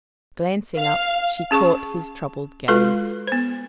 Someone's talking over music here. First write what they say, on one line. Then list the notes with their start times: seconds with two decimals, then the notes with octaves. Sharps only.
Glancing up, she caught his troubled gaze.
0.77 F5
1.51 C#4 G#4 A5 C#6
2.68 G#3 F4 F#4 A4 B4 C6
3.27 B3 C5